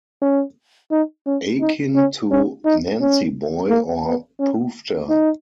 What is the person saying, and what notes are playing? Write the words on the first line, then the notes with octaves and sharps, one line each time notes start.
Akin to "nancyboy" or "poofter".
C#4
D#4
C#4
D#4
C#4
C#4
D#4
C#4
A#3
B3
C#4
D#4